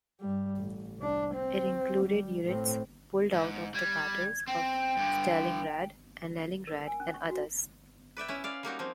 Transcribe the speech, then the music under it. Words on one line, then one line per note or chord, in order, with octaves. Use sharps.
It included units pulled out of the battles of Stalingrad and Leningrad and others.
G2 G3
A1
C2 D4
C4
G3
A2 C4
G#2
G3 G#6
C4 G5
G2 D3
A#4
G#5
C#4
C#6
F#4
B4 D5 E5 G5
C#4 E4
C#4 D5 F5
G3 A#3 D#4 F#4
F3 A#3 C4